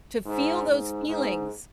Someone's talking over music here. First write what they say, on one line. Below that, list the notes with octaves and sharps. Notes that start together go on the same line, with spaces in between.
to feel those feelings.
G#2
G#2
G#2